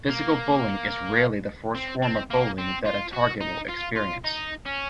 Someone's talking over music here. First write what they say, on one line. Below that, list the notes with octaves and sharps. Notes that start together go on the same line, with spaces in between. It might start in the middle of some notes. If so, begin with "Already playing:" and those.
Physical bullying is rarely the first form of bullying that a target will experience.
A#3
C4
C4
A#3
C4
F4
F#4
D#4
F4
F4
D#4
C#4